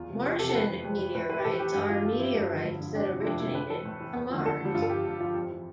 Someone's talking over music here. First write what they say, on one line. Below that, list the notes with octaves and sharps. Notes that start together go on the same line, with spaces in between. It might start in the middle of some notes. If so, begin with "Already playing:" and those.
Martian meteorites are meteorites that originated from Mars.
Already playing: E2 F4
C3 F3
E2 G4
G4
C3 F3 A4
A4
F2 B4
E3
F2
E3
A2 B4
E3 B4
G4
A2 A4
E3 G4
G2 G4
E3 F4
G2 F4
E3 E4
G2
D3 F3
G2
D3 F3
F2 D4
C3 F3
E4
F2 D4
C3 F3 E4
A2 B4
E3 A4
A2
E3
E2
D3 F3
E2 A4
D3 F3 G3
G2 F4
A4
F3 G4
G2
F3 F4
F2
E3